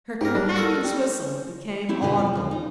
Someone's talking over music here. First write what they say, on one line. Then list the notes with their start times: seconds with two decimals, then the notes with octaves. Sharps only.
Her companion's whistle became audible.
0.21 G#2 G4 A#4
0.35 G3 D4
0.56 A4 A#4
0.84 G3
1.89 C4 E4 G4 G5
2.01 E2 B2 D3 F4 B4 D#5
2.19 D5
2.34 D#2 A2 F3
2.51 D#4 F4